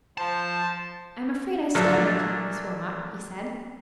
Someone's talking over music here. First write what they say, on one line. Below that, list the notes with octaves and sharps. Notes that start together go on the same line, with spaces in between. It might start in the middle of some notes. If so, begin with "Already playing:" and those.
"I am afraid I startled you, Miss Wilmot," he said.
F3 C5 A5
A#2 F3 F#3 A3 D4 A4